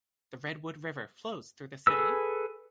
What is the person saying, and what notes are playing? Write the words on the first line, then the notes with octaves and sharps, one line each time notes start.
The Redwood River flows through the city.
G#4 A4 B4 E6